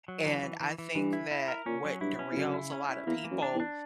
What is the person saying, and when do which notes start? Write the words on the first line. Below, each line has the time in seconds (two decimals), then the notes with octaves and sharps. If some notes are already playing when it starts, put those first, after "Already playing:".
and I think that what derails a lotta people
0.08 F#3
0.26 E3
0.42 E3
0.60 E3
0.78 E3
0.95 G2 E3
1.13 E4
1.31 E4
1.48 A#4
1.66 A#2 C#4
1.84 F#3
2.01 G2 E4
2.19 C#4
2.32 E2
2.36 F#2 C#3
2.54 E4
2.72 C#4
2.89 E4
3.07 E2 A#3
3.24 E3
3.31 F#2
3.42 D4
3.54 E2
3.60 D4